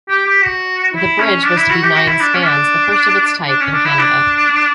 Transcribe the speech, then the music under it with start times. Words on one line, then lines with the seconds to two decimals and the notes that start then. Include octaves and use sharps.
The bridge was to be nine-spans, the first of its type in Canada.
0.09 G4
0.26 G4
0.43 F#4
0.93 E4
1.19 C#4
1.44 D4
1.57 E4
1.70 F#4
1.82 G4
1.95 F#4
2.07 E4
2.20 D4
2.34 C#4
2.45 D4
3.47 D4
3.60 C#4
3.73 D4
3.85 E4
3.99 D4